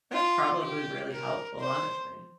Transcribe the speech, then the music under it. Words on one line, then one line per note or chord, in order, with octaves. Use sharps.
That's probably really helpful, honestly.
F4
G4
A#4
C5